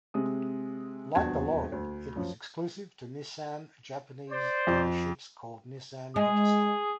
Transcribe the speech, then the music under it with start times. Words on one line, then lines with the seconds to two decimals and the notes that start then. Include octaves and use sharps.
Like the Laurel, it was exclusive to Nissan Japanese dealerships called Nissan Motor Store.
0.14 C3 G#3 D#6
1.15 D#1 E2 D4 F#4 A5 G#6
1.72 D2
2.16 F#2 F3
4.30 C5 D5
4.67 F2
6.16 G#3 G#4